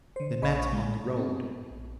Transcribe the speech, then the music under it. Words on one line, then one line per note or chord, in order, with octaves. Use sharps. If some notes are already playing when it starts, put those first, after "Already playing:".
They met on the road.
D3 C5
A#1 G#4 D#5 B5 C#6
G#3
B3 C4
A#1